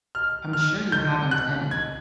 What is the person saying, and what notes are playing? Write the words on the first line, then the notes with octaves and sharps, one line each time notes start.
I'm sure you haven't any.
F6
F6
G6
F#6
G#6